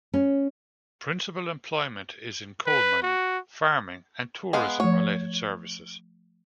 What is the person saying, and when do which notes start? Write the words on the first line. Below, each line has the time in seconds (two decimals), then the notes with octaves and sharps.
Principal employment is in coal mining, farming and tourism related services.
0.14 C#4
2.66 B4
3.02 F#4
4.53 G#3 B3 F5
4.80 F3 A3 C#5